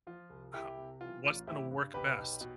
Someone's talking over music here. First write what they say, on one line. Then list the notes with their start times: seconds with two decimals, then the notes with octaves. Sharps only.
How what's gonna work best?
0.07 F3 F4
0.30 C2
0.54 C2 E4 G4
0.77 C3
1.00 E3 F4
1.24 A1 F4
1.47 A1 E4 G4
1.71 G2
1.94 B1 G4 B4
2.18 B1
2.41 B2